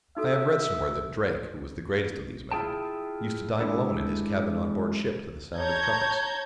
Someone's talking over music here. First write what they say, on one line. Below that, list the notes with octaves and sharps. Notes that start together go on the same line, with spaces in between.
I have read somewhere that Drake, who was the greatest of these men, used to dine alone in his cabin on board ship to the sound of trumpets.
D#4 F#4 A4 E5
E4 F4 G#4 G5 A5
G#3 D4 E4 A4
C#5 A5 A#5 G6 G#6